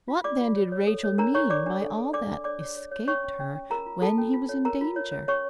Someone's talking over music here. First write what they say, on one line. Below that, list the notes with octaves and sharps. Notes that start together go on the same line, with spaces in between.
What, then, did Rachel mean by all that escaped her, when he was in danger?
F4
F4 D5 D6
F4
C#5
C#5
A4
C#5
D4 A#4 A#5
D4 C#5 C#6
C#5 D5 D6
D4
A4
A4
D4 D5 D6
D4
C#5 D5 D6
C#5
C#5
C#5
C#4 C#5 C#6
C#4
C#4
C#4
F4 A#4 A#5
F4
F4 A4 A5
C#4
F4
C#5
A#4 A#5
F4
C#5
C#5
C#4 C#5 C#6